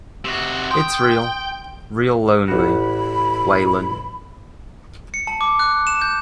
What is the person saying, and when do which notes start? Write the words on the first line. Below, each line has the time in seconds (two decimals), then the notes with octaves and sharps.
It's real, real lonely, Waylon.
0.25 C3 F#4
0.71 G5 C6 D#6
2.48 A1 F#4 B5
5.14 C#7
5.27 A5
5.41 D6
5.59 F#6
5.87 E7
6.02 G6